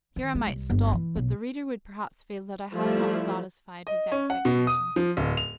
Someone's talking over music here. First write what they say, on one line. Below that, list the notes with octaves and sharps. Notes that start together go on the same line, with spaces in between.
Here I might stop; but the reader would perhaps feel that I had not satisfied his expectations.
D#3
G#3
C2
G1
E3
B1
F3 G3 A3 E4
D#5
C#4
F#5
B2
D#6
F3
D1
F7